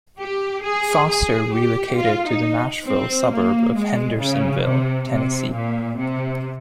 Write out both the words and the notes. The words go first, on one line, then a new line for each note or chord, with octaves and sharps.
Foster relocated to the Nashville suburb of Hendersonville, Tennessee.
G4
G#4
G#4
G4
F4
D#4
C4
A#3
G#3
C#3
C3
C3
A#2
C3